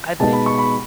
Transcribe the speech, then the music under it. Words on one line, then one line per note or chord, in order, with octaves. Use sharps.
I think
B2 G#3 B3 D#4 A5
B5
C#6
B5